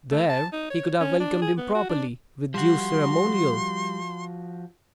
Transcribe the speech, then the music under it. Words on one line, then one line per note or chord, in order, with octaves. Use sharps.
There he could have welcomed him properly with due ceremonial.
A3
A5
D#4
C#5
C#4
D4
G#4
B3
F#4
D4
F3 G3 F#4 C6